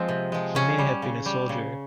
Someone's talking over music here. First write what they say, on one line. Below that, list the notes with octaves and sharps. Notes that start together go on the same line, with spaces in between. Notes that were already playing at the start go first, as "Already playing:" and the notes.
He may have been a soldier.
Already playing: F3 G#3 C4
C3
F3 G#3
C#3 C#4
G3
C#3
G3
C#3